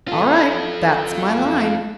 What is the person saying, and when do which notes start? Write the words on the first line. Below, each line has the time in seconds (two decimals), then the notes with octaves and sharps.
"All right--that's my line."
0.08 F4 A4